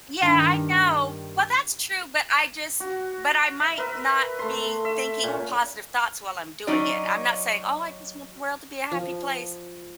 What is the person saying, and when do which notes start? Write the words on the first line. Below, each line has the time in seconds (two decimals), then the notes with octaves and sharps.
Yeah, I know. Well, that's true, but I just but I might not be thinking positive thoughts while I'm doing it. I'm not saying, "Oh, I just want the world to be a happy place."
0.21 G2 D#3 D4 A#4 B5 C6
2.80 F#4
3.60 E5
3.78 A#4 B4 E5
4.39 A3 C6
4.85 E5
5.23 A#2 C#4
6.67 F#3 C#4 D#4 D5
8.92 F3